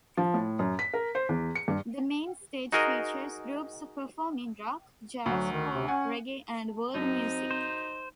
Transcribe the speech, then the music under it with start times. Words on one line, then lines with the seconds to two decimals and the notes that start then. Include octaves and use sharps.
The main stage features groups performing rock, jazz, folk, reggae and world music.
0.17 F3
0.34 A2
0.59 F#2
0.79 B6
0.94 A#4
1.15 C5
1.29 E2
1.55 C#7
1.68 G2
2.72 D#4 F#4 G#4 A#4 D#5
5.26 D2 F#3
5.52 D#3
5.73 C3
5.88 C#4 F#5 G#5
6.94 F#2 C4 D#4
7.51 C5